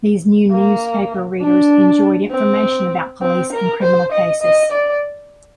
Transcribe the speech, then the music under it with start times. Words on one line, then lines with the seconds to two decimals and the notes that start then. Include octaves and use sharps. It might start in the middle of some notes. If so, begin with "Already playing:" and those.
These new newspaper readers enjoyed information about police and criminal cases.
0.51 A#3
1.41 D4
2.31 C4
3.21 C4
3.52 A#4
3.82 C5
4.12 D#5
4.42 D#5
4.72 D5